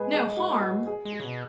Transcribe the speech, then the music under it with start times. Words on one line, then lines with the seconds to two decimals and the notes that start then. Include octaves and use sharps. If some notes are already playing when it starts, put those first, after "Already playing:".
"No harm!"
Already playing: G#3 G#4 B4
0.13 G#4
0.37 F#4
0.62 F#4
0.87 G#4
1.05 G#3
1.12 G#4
1.20 C#3
1.24 B2